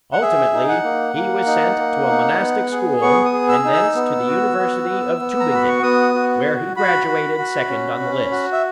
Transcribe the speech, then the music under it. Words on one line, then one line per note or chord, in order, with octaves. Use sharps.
Ultimately he was sent to a monastic school and thence to the University of Tuebingen, where he graduated second on the list.
F#5
G#4 E5
D#4
F#5
A#3
A#3
D#4
A#3
D#4
B3
G#4
B3 C#6
D#6
G#4
E6
D#4
E6
B3
F#4
B3
B3
B3
A#5
F#4 B5
C#6
B3 D#6
F#4
F#4
F#4 B5
F#4
F#4
C#4
C#4
F#4
E5